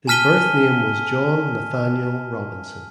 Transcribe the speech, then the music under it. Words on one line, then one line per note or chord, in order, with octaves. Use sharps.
His birth name was John Nathaniel Robinson.
G#5 A5 F6 B6 D#7 G7